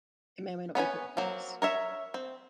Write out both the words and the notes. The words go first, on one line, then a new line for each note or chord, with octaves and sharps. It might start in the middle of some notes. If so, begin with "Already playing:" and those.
It may or may not be equipped with flaps.
B3 C#4 C5 G#5
F#3 A#3 C4
A#4 C#5 E5
C4